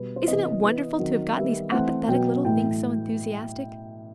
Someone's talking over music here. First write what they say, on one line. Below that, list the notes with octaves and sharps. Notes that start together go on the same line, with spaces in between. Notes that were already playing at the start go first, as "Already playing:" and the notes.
Isn't it wonderful to have got these apathetic little things so enthusiastic?
Already playing: B2 G3 B3 B4
C5
C3 E3 B3 D#5
E3 B3
D#3 F#3 C4
D#3 G3 B3 E5
E3 A3 C4 F#5
B2 F#3 B3 G5
A2 E3 A3 G5